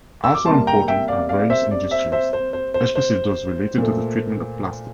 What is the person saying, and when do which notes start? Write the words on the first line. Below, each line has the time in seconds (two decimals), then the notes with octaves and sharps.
Also important are various industries, especially those related to the treatment of plastic.
0.24 E6
0.35 D6
0.46 C3 G3 A#3 A5 C6
0.67 G5 A#5
0.88 E5 G5
1.08 D5 F5
1.29 D5 F5
1.50 C5 E5
1.71 D5
1.91 C5 E5
2.12 C5 E5
2.33 C5
2.53 C5
2.74 C5
2.96 C5
3.78 A#2 A3